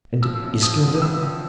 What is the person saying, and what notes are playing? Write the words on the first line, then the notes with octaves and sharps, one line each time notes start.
And Iskander?
F3 E6
F#2
F3 D#6
D3
D#6
G#1 E6
F3